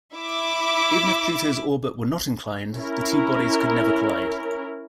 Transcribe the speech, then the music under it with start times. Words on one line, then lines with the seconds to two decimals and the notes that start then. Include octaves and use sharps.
Even if Pluto's orbit were not inclined, the two bodies could never collide.
0.16 E4 E5 D6
2.76 C#4 E4 A#4